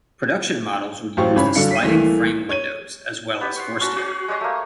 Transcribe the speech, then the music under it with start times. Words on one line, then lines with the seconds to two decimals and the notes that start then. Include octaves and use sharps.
Production models would use the sliding frame windows as well as forced air.
1.17 A1 F#3 G4 C5 F5 C#6
1.36 G#1 C#3 C#5 B5
1.55 G2 D3 F#3 D4 F5 C#7
1.71 B6 C7 D#7
1.83 C2 E3 A3 A#3
2.49 C#5 D#7
3.41 B3 G4
3.56 C#5 F#5 C6
3.81 C#4 F#4 A5
3.96 F#4 G#4 C#5
4.28 G#3 G4 C#5 D#5
4.41 A3 A#3